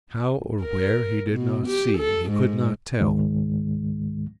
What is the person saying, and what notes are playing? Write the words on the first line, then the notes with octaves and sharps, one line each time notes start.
How or where he did not see, he could not tell.
A#4
B2
G4
A4
G#2
C#2 G#2 D#3 G#3